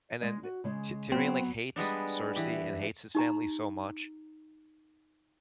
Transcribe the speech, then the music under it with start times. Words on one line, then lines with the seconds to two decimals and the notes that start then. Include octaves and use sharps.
and then, eh, T Tyrion, like, hates Cersei and hates his family so much,
0.21 G#3 D#5
0.43 F#4
0.64 C#3 G#3
1.12 F#3 B3 C4
1.76 G3 G#3 B3 D4
2.36 E3 G4
3.15 D#4 G4 A#5